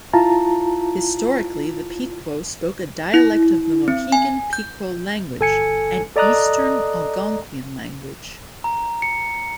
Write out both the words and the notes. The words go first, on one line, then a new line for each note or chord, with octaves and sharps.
Historically, the Pequot spoke a dialect of the Mohegan-Pequot language, an Eastern Algonquian language.
E4 F4 A5 A#5
E4
C4
G#5
G6
G1 A4 G#5 C#7
A4 D5 D#5 A#5 D#6 F#6
A#5
C#7